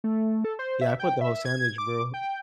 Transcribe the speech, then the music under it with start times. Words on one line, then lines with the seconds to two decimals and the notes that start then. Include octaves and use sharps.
Yeah, I put the whole sandwich, bro.
0.04 A3
0.44 A4
0.59 C5
0.81 E5
1.00 G5
1.21 E5
1.45 G#6
1.78 D6
2.14 G5